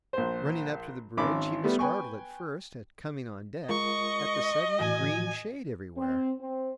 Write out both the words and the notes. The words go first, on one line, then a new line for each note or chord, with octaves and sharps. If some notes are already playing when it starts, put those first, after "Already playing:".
Running up to the bridge he was startled at first, at coming on deck, at the sudden green shade everywhere.
A#1 C5
G#1 C#4 B5 D6
G3 A3 B3
B4 G5 G#5 C#6
G#3 F4 A#4 D#5 C#6
A2 E3 F#4 G#5
C4
C4